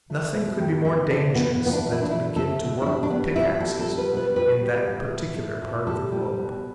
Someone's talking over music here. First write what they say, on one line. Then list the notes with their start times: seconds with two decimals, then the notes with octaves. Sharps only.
Nothing could be more dangerous than to begin to work with pickaxes in that particular part of the globe.
0.10 A3
0.35 B2
0.60 A2 G4
0.85 E3 E4
1.10 A3 D4
1.35 A2 B3
1.54 B3
1.60 E3
1.66 B3
1.73 D4
1.86 A3
1.92 E4
2.02 D4
2.10 A3 E4
2.36 A3 A4
2.61 B2
2.82 E4
2.86 G3 D4
3.03 D4
3.10 G3 B3
3.36 B2 E4
3.60 G3 A4
3.80 A4
3.85 G3
3.98 B4
4.11 B2
4.17 B4
4.36 G3 B4
4.61 G3
4.87 A2
5.11 A3
5.36 A3
5.62 A2
5.87 G3 A4
6.12 G3
6.37 B2